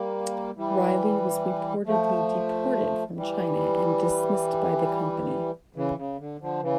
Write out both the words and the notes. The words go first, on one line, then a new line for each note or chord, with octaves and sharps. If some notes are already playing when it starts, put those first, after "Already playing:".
Reilly was reportedly deported from China and dismissed by the company.
Already playing: G3 A#3
E3 G3
F3 A3
E3 G3
C#3 E3
C#3
D3
D3 F3
C#3 E3